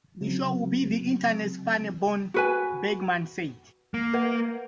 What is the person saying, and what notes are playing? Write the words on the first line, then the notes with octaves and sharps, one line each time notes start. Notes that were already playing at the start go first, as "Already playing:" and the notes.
"The show will be the Internet's funny bone," Bergman said.
C#3 F#3 C4
F#4 B4 G#5
A#3
A#4 B4 F#5